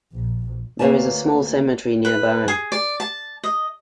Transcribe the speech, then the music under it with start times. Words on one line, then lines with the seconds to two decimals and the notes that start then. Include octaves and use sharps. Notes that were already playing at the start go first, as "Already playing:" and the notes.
There is a small cemetery nearby.
0.13 A#1
0.79 D2 A#3 B4 C#5 G#5 A5
2.05 B4
2.48 G#4
2.72 D5
3.00 A5
3.44 D#5